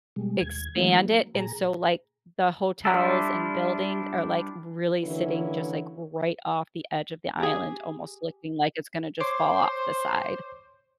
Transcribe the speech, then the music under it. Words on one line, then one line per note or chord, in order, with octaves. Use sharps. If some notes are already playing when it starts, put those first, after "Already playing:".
expand it, and so, like, the hotels and buildings are, like, really sitting just, like, right off the edge of the island, almost looking like it's gonna just fall off the side.
B2 G3 G#3
D#2 G#6
E3 F#3 G#3 A3 C4 E4
F#3 A#3
A#2 G#4 A#5
G3 D4 E4 F4 A4
D3 E3 F#3 A#3 C#4 E4
G4 G#4
C5 C#5 C6 D6